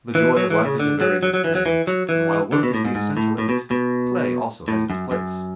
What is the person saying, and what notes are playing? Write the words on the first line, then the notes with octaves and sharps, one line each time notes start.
But the joy of life is a very good thing, and while work is the essential in it, play also has its place.
E3
F#3
E3
C#3
D3
F#3
F#3
F#3
E3
F#3
E3
F#3
E3
D3
B2
A2
G#2
G#2
A2
A2
B2
B2
A2
F#2
F#2